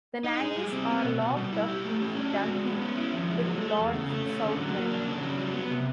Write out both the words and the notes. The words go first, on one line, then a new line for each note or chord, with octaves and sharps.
The nannies are locked up in the 'dungeon', with Lord Southmere.
D#4
G#4
G3
C4
B3
B2
B2
G3
E4
G4
A3
C#4
D4
F#4
G#3
B3
C#4
E4
F3
G#3
F#3
A3
E2
C#3
A3
C#4
D3
F#3
A#3
D4
C#3
F#3
G3
B3
C3